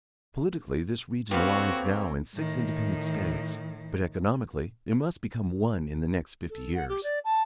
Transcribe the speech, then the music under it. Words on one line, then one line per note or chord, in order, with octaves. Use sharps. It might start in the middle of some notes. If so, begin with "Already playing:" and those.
Politically this region lies now in six independent States, but economically it must become one in the next fifty years.
A#3 C4 F#4 G4 A4 B4 C#5 F5
A2 D#3
A4
F#5
G4
D5
A5